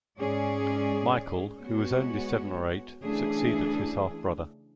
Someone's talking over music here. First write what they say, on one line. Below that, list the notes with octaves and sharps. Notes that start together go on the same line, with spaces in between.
Michael, who was only seven or eight, succeeded his half-brother.
G#2 G#3 C#4 G#4 D5
G#3 B3 F#4 C#5
C#3 E3 A3 D4 G#4